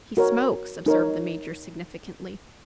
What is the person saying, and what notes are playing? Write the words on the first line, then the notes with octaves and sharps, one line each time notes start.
"He smokes," observed the Major, significantly.
F#4 A#4 C#5
D#4 A#4 C#5